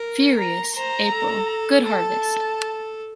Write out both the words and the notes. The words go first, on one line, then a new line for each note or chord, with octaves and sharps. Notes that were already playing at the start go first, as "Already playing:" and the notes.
Furious April, good harvest.
Already playing: A#4
A#5
C5 A#5
A4
A4 A5